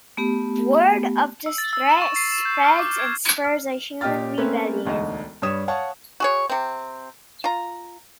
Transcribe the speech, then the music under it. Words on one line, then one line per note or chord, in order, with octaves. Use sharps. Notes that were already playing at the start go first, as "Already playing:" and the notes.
Word of this threat spreads and spurs a human rebellion.
A3 B3 G4
E6
A6
E6
E7
C#6
C7
E7
G6
F6
D6
G#6
F6
A#2 G4 D#5 G5 F6 A6
A3 A#3 C4 C#4 B4
E1 D2 D#4 D#5
G2 G3 C#5 D#6 E7
C#5 F5 F#5 A5 C#6
F#4 G#4 C#5
C3 C4
F4 A#5